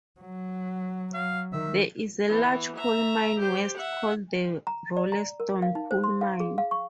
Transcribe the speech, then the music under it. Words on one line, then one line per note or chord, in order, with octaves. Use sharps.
There is a large coal mine west called the Rolleston coal mine.
F#3
F#3 F5
D#3 E5
E3 B3
E5 A#5
G4 C5
E5 F#5
A#5
D5
A#5
A#4
F5
D#4
C5
C6
F5
G#4
F5
C#6